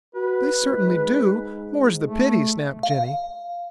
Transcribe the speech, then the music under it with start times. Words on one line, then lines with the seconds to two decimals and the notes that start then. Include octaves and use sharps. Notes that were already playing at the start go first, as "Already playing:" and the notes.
"They certainly do, more's the pity!" snapped Jenny.
0.15 F#4 B4
0.62 G#2
2.04 A3
2.83 F5